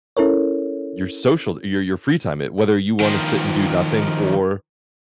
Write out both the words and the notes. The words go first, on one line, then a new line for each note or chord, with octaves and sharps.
your social your your free time it whether you wanna sit and do nothing or,
C#4 E4 A4 A#4 C#5
D#3 F3